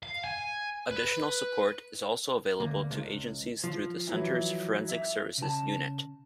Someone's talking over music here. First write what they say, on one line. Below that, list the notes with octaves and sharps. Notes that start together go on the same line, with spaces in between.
Additional support is also available to agencies through the Center's Forensic Services Unit.
F5
G#5
B4
D2 A#3
C#2
F3
E3 F#3 E4
E5 F7
C#3 A5